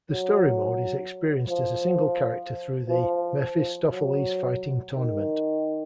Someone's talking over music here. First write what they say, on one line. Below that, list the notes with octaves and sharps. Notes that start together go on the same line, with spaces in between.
The story mode is experienced as a single character through the "Mephistopheles Fighting Tournament".
F#3
F3
F3
F3
F#3
D#3